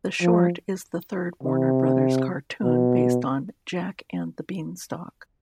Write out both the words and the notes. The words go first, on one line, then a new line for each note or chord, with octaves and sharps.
The short is the third Warner Brothers cartoon based on "Jack and the Beanstalk".
F3
C3
B2